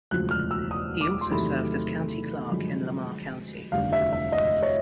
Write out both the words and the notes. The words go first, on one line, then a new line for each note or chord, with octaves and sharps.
He also served as county clerk in Lamar County.
E1 D2 C#3 F3 F#6
F6
E6
D#6
D6
C6
E2 C3 D#3 F#3 A3 B5
F#2 D3 F3 G#3
F1 D#2 D3 G3 F5
E5
E5
D#5
C#5